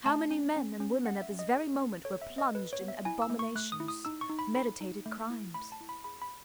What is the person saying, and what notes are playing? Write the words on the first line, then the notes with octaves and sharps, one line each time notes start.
How many men and women at this very moment were plunged in abominations--meditated crimes.
A3 A5
C#4
C#4
C#4
C#4 F#5
E5
C#4
D#5
G#4
C#4
A4 C#5
E5
B3
D#5
A4 B4
C#5
B3
E5
E4 G#5
E6
A3
C#6
A3 F#6
D#6
E4
D#6
D#4 E6
C#6
D#4
B5
A4 B5
D#4
A3
E4
A3 B5
A5
E4
B5
G#4 B5
B5